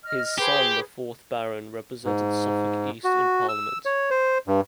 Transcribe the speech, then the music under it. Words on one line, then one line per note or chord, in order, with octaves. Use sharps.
His son, the fourth Baron, represented Suffolk East in Parliament.
D#5 F6
G4 G#4 B4 C5
G#2
F#4
E6
C#5
C5
G2